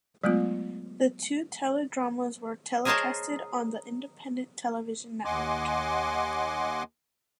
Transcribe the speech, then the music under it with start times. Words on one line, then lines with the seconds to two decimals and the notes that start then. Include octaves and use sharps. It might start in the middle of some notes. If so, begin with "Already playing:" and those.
The two teledramas were telecasted on the Independent Television Network.
0.24 F#3 G#3 A3 B3 F4
2.85 G#4 A#4 C5 C#5 D#5 A5
5.25 D#2 D#5 F#5 G#5 C6 D6